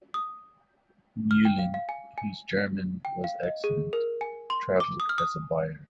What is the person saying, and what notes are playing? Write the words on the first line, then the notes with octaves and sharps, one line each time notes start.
Meulen, whose German was excellent, travelled as a buyer.
D#6
F6
G5
F5
F5
G#5
G#5
G5
F5
D#5
G#4
A#4
G#5
C6
D6
D#6
F6
D#6